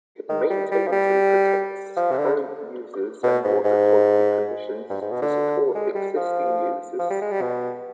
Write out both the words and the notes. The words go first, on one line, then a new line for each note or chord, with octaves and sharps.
It maintains and protects current uses and water quality conditions to support existing uses.
D#3
G3
G3
F3
G3
F3
C3
D3
B2
G#2
G#2
G2
G#2
B2
D3
G#3
G3
F3
F3
G3
G#3
G3
B2